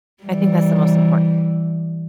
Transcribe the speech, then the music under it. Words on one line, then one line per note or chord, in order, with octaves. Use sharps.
I think that's the most important.
E3 G3